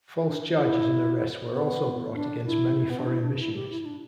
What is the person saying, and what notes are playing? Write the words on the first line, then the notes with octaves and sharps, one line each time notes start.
False charges and arrests were also brought against many foreign missionaries.
E4
D4
E4
B3
D4
E4
B3
D4
E4
D4
E4
G4
E4
E4
D4